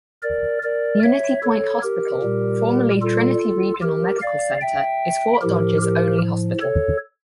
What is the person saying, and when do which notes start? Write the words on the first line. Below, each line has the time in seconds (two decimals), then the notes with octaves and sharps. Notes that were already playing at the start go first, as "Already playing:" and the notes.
Unity Point Hospital, formerly Trinity Regional Medical Center, is Fort Dodge's only hospital.
0.23 A#4 D5
0.63 A#4 D5
1.03 C#5 E5
1.43 A4 C#5
1.83 G4 A#4
2.23 A#2 G3
3.02 F4 A4
3.82 G4 A#4
4.21 D5 F5
4.61 E5 G5
5.41 A2 F3 G4 A#4
5.82 G4 A#4
6.61 A4 C#5